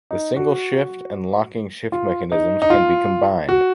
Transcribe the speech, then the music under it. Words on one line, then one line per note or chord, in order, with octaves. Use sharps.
The single shift and locking shift mechanisms can be combined.
D#4
F#4
F4
D#4
D#4
F4
F#4